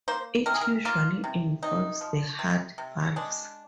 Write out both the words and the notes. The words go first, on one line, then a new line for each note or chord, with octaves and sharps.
It usually involves the heart valves.
A#3 C5
C3 A#4
G#4
A#4
A#3 F4
C3
C3 D#4
F3
C3
C3
G#3 D4